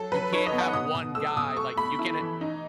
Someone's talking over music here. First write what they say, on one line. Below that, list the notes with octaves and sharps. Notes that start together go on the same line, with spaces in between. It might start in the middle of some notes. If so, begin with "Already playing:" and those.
You can't have one guy, like, you can ha
Already playing: F#3 A4
F#3 B4
D#4 C#5
D#5
B3
F#5
B2 D#6
B2
A3 E6
B2 D#6
A3 C#6
A3 B5
E4
E3
D#4